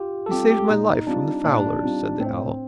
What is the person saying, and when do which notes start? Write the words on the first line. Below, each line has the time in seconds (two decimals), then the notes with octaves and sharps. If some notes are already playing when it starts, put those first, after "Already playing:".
"You saved my life from the fowlers," said the owl.
Already playing: F4 G4
0.26 A4
0.31 G3 C4 F4 G4
0.51 G4
0.69 A#2 D#4
1.07 G3 C4 D4 F4
1.44 A#2 D4
1.82 G3 C4 F4
2.19 A2 C4